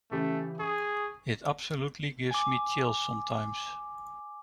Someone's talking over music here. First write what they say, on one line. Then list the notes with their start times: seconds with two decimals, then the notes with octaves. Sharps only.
It absolutely gives me chills sometimes.
0.11 C#3 E3 A3 G4
0.59 G#4 C#6
2.31 G#5 D6